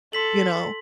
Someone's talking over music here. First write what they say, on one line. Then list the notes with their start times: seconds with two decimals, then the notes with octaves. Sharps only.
You know,
0.13 A4 C6 B6 F#7